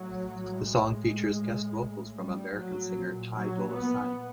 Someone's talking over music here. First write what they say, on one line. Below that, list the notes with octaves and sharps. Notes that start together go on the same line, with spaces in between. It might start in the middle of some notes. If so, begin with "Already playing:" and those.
The song features guest vocals from American singer Ty Dolla Sign.
Already playing: A2 F#3
G#3
A2
G3
F#3
A#2
F#3
B3